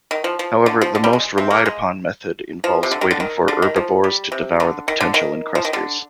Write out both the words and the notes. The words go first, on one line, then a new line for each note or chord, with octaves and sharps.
However, the most relied-upon method involves waiting for herbivores to devour the potential encrusters.
D#3
F3
F3
D3
F3
D3
G3
G#3
C3 C4
A#3
G#3
F3
C3
D3
D#3
D3
D#3
D3
D#3
F3
G3
C3
D3
D#3
D3
D#3
F3
D#3
D3